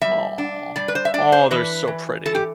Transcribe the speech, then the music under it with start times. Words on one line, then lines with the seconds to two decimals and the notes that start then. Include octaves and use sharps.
Aw. Aw, they're so pretty.
0.01 G3 E5
0.38 D4
0.76 G3 D5
0.88 B4
0.95 C5
1.05 E5
1.14 D4 D5
1.32 C5
1.51 E3 B4
1.87 E3
2.26 E3 A4
2.35 G4